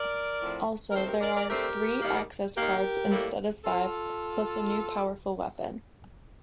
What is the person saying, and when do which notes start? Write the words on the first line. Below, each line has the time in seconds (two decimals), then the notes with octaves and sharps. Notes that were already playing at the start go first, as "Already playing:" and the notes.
Also there are three access cards instead of five plus a new powerful weapon.
Already playing: A#4 D5
0.41 A2 F3 C4
0.90 A#4
0.94 D#3 A3 C4 A4 C5
1.08 G4 A#4
1.21 A#4 D5
1.35 A#4 D5
1.48 D3 A3 C4 G4 A#4
2.02 D#3 G3 A#3
2.56 D#3 A#3 G4 A#4
3.10 A2 G3 A#3
3.64 C4 F4 A4